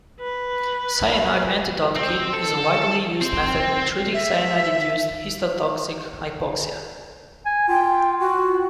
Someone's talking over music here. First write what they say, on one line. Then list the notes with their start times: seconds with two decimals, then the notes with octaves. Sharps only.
Cyanide antidote kit is a widely used method in treating cyanide induced histotoxic hypoxia.
0.20 B4
1.96 C4
2.34 A4
3.21 C4
4.14 E5
7.46 G#5
7.68 F4 G5
8.20 F#4